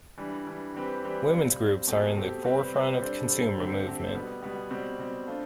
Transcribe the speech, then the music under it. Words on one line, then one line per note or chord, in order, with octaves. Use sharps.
Women's groups are in the forefront of the consumer movement.
E3 G3 D4
E3 G3 D4
E3 G3 C4 G4 B4
E3 G3 C4 G4 B4
G3 C4 F4
G3 C4 F4
B2 A3 C4 G4
B2 A3 C4 G4
G3 C4 G4 B4
G3 C4 G4 B4
G3 D4 A4 C5
G3 D4 A4 C5
D3 A3 C4 G4
D3 A3 C4 G4
B2 G3 B3
B2 G3 B3
B2 G3 C4
B2 G3 C4
A3 D4 F4 C5